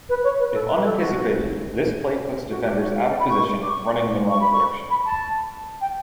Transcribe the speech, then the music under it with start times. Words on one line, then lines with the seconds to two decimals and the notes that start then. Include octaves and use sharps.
If unanticipated, this play puts defenders out of position, running in the wrong direction.
0.09 B4
0.23 C#5
0.39 B4
0.54 A4
0.68 B4
0.84 A4
0.99 F#4
2.49 F#4
2.65 G4
2.79 F#4
2.94 G4
3.09 D5
3.19 B5
3.29 C#6
3.61 D6
3.69 C#6
4.30 C#6
4.40 B5
4.52 C#6
4.90 B5
5.05 A5
5.80 G5